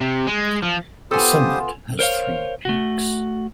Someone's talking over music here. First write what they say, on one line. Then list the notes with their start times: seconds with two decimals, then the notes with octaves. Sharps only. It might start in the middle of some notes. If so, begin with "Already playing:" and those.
The summit has three peaks.
0.01 C3
0.27 G#3
0.62 F3
1.11 B3 F4 G4 A4 C5 G#5 D#6
1.99 A#4 C5 C#5 F5
2.65 A3 F#4